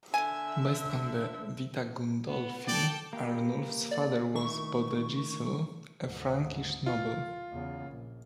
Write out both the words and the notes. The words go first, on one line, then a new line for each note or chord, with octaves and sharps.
Based on the "Vita Gundolphi" Arnulf's father was Bodegisel, a Frankish noble.
D3 E5 G#5
B3
A4 D5 G5
A#3 G4 B4
D5
D#3 A3 E4 C#6
D2 G#2
F4
E2 C#3
A#1